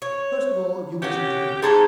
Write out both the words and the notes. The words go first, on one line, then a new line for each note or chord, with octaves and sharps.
"First of all you must drink!"
C#5
C#4 F#4 G4
G#2 G#4 A4 A#5